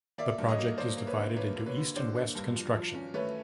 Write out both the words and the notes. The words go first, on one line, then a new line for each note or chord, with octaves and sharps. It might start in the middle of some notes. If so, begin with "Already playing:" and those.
The project is divided into east and west construction.
A#3 D5 E5
G2
C#5 D#5
A#3
A#3 C5 D5
A#3
B4 C#5
D3
A#3 B4 C#5
A#3
B4 C#5
D3
D3 C5 D5
A#3
G2
F3
F3
C#4
A3 B4 C#5